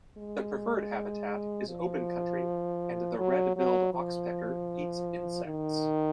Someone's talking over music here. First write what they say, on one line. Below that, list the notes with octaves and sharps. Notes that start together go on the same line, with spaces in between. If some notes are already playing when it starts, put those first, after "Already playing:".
The preferred habitat is open country, and the red-billed oxpecker eats insects.
G#3
F3
F#3
F#3
F3
D#3